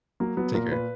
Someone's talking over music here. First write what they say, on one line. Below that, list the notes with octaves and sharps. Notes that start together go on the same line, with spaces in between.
Take care.
F#3 A#3
F#3 B3
A#2 A#4
A#2 B4